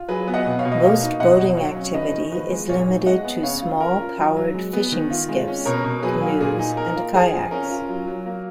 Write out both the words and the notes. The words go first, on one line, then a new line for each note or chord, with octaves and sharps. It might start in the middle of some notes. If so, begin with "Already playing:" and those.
Most boating activity is limited to small powered fishing skiffs, canoes and kayaks.
Already playing: F4
F#3 G#4 B4
B3
D#5 F#5
B2
C#5 F5
B2
D#5
A#3 C#5 F5
D#4
B2 D#5 F#5
B2
F#3 C#5 F5
C#4
C#5
D#3 B4 D#5
D#3
F3 B4 D#5
G#3
A#2 C#5 F5
D#4
G#3 D#5 F#5
B3
C#3 C#5 F5
F4
C#4 A#4
F4
F#3
F#3
G#3
B3
D#3
F4
G#3
C#4
B2 A#4 C#5
B2
F#3 G#4 B4
A#3
A#2 G#4
D#4
A#3 A#4
F4
F3 G#4
F3
C#4 A#4
F4
F#3
F#3
A#3